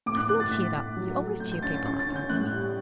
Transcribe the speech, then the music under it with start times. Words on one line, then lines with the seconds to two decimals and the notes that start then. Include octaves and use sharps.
I feel cheered up--you always cheer people up, Aunt Emmy.
0.06 A2 D6
0.17 F#6
0.29 A2 F#6
0.40 A6
0.51 A2 B6
0.74 A2
0.97 F#3
1.19 A3
1.40 A2 G6
1.52 G6
1.62 C#4 A6
1.74 A6
1.86 C#4 A6
2.00 A6
2.08 C#4
2.16 G6
2.30 A2 F#6
2.52 G3